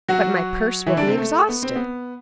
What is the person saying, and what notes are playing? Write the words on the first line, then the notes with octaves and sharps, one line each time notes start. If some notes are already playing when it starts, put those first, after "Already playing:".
"But my purse will be exhausted."
F#3 F#4
E3 E4
D3 D4
C3 C4
A3
B3
C4
B3